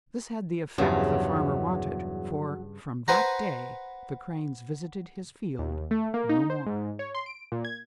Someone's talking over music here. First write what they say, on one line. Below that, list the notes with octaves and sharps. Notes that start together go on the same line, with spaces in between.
This had the effect the Farmer wanted, for from that day the Cranes visited his field no more.
E2 G2 C#3 F3 F#3
B4 C5 F#5 A#5
D#2
A3
A#3
D#4
C5
G#2
C#5
C6
D7
A#2
G#6